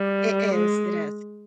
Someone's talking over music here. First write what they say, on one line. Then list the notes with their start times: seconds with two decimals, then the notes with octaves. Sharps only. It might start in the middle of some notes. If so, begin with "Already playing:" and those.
It is, it is.
Already playing: G3
0.54 G#3